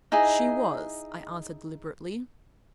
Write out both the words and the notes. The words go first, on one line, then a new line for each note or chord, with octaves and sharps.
'She was,' I answered, deliberately.
D#4 E4 G#4 D#5